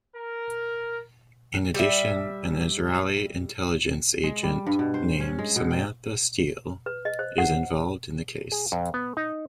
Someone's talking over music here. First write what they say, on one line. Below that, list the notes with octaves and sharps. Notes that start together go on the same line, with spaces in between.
In addition, an Israeli intelligence agent named Samantha Steel is involved in the case.
A#4
G3 E5
G#3
G3
G2
B2
C5
C#4
G#3
B2
G5
B4
D#5
C5
F#5
G#4
F2
B3
D#4